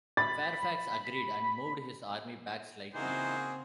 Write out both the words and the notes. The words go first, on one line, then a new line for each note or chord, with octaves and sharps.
Fairfax agreed, and moved his army back slightly.
B5 A6
C#3 E3 A#3 C4 D#4 F#4 G#4 C5